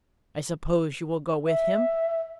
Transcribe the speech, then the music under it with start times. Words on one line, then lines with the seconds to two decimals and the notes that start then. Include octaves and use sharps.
"I suppose you will go with him?"
1.47 E5